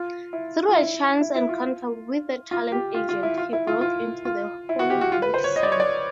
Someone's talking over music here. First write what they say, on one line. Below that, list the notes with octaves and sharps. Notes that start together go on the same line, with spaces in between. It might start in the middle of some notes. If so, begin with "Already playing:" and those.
Through a chance encounter with a talent agent, he broke into the Hollywood scene.
Already playing: F4
E4
F4
E4
E4
E4
F4
F4
G4
F4
F4
E4
F4
E4
F4
F4
F4
E4
F#4
G4
F#4
F4
B4
C5
C#5
D#5
D5
C#5
D5